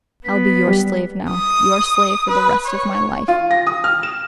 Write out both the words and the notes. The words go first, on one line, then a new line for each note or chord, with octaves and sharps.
I'll be your slave now, your slave for the rest of my life.
B3 B6
G3
D#6
B4
C#5
F4
A#6
D#6
F6
E7